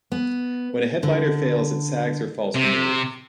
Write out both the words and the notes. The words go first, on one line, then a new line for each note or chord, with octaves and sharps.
When a headliner fails, it sags or falls from the roof.
B3
D3
C3